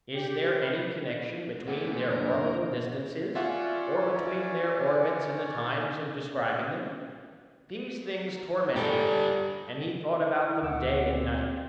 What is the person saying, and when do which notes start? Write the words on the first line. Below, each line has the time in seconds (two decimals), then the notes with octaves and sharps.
Is there any connection between their orbital distances, or between their orbits and the times of describing them? These things tormented him, and he thought about them day and night.
0.15 G4
0.59 B4
1.68 A#2 E3 A3 B3 F#5
1.96 C5
2.10 F#2 D3 A#4
3.35 C#4 F4 C#5 D5 E5 F#5
8.76 G3 G4 A4
10.46 E4
10.62 D2 F#5 D6 E6
11.06 C4